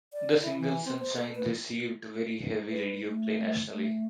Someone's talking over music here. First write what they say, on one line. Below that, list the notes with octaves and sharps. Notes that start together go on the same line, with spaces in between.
The single "Sunshine" received very heavy radio play nationally.
D5
E4
E3
C4
C5
A4
B4
B4
A3
A3